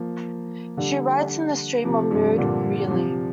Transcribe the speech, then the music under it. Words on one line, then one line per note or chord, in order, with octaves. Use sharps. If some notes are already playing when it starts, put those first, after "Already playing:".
She writes in a stream of mood really.
Already playing: F3 A#3
D3 G3
C3 F3
G2 C3
A#2 D3
C3 F3